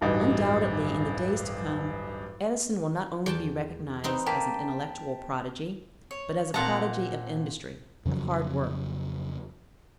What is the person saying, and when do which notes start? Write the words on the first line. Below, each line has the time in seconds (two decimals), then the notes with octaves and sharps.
Undoubtedly in the days to come Edison will not only be recognized as an intellectual prodigy, but as a prodigy of industry--of hard work.
0.01 D1 A1 G2 D#4 F#4
3.26 E2 G5 A5
4.04 B3 C4 D#4
4.26 A#3 G5 A5 B6
6.11 C#5
6.54 A#2 C4 F#5 A5 A#5
8.05 F2 C#3 F3 F#3